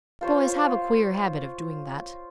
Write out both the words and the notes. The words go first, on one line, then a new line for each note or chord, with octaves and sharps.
Boys have a queer habit of doing that.
F4 C5 C#5